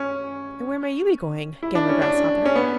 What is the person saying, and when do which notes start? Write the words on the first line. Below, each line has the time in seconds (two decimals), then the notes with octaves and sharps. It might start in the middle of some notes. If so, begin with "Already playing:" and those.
'And where may you be going, Gammer Grasshopper?'
Already playing: C#4
1.63 E4
1.75 D4
1.89 C#4
2.02 D4
2.46 C#4
2.55 B3